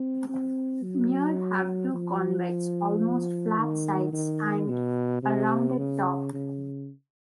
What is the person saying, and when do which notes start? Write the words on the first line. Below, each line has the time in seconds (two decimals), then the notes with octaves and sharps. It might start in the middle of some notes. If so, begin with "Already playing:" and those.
Mere have two convex, almost flat sides and a rounded top.
Already playing: C4
0.29 C4
0.83 F#3
1.94 F3
3.58 D#3
4.13 D#3
4.68 B2
5.23 C3
5.77 C#3
6.33 C#3